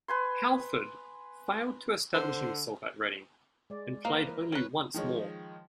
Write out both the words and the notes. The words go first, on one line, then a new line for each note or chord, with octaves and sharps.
Halford failed to establish himself at Reading, and played only once more.
B4 G#5 C6
D3 C5
G#3 D5
A#3 B4 C5 D#5
E3 A#4
C#4 B4
D#3 F3 G#3 C#5